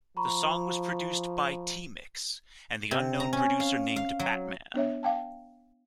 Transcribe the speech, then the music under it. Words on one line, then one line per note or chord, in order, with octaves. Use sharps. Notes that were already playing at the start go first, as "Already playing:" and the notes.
The song was produced by T-Mix and the unknown producer named Batman.
F3 A#5 B5 C#6
C3
A#5
C#4
F5
F5
F#3
B3 D4 C#5 E5
F5 G5 A5